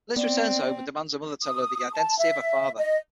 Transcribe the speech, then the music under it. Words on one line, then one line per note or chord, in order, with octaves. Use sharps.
Liz returns home, and demands her mother tell her the identity of her father.
B3 C4 D5
D#6
A5
E5
D#5